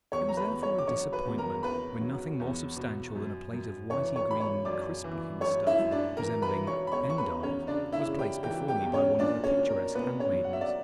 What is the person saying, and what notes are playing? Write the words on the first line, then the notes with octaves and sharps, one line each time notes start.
It was therefore a disappointment when nothing more substantial than a plate of whitey-green, crisp-looking stuff resembling endive, was placed before me by one of the picturesque handmaidens.
E2 C#5 C#6
A#5
B4 B5
E2
C#5 C#6
D6
F#3 C#5 C#6
B4 B5
E2
A#4 A#5
E2 B4 B5
F#3
E2
B2
F#2
F#2
E3 C#5 C#6
C#5 C#6
E3 B5
C#5 C#6
F#2 D5 D6
E3
F#2 C#5 C#6
E4 E5
F#2
D4 D5
E3 A#4 A#5
B4 B5
E3
C#5 C#6
B5
E2 C#5 C#6
C#6
B4 B5
E2
C#4 C#5
C#3 D4 D5
E4 E5
C#3
G4 G5
E3 G4 G5
G4 G5
E2
C#4 C#5
A#2 D4 D5
C#4 C#5
A#2
A#4
A#2 B3 B4
C#4 C#5
F#3
F#5
E5
D5